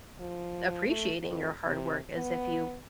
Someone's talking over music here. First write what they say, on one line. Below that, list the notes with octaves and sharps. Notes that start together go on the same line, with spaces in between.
appreciating your hard work as if you
F3
A3
F2
C3
B3